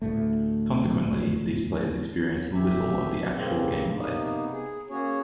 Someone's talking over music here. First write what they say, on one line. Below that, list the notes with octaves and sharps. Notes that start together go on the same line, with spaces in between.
Consequently, these players experienced little of the actual game play.
D2 A2 A3
D2 G4 E5
G2 C#3 A#3 C4
C3 A#3 B3 D#4
G#4
A#3 C#4 F#4 G#4 C#5